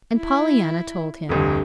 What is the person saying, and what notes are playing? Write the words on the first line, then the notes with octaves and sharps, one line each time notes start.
And Pollyanna told him.
E4
F1 D2 G2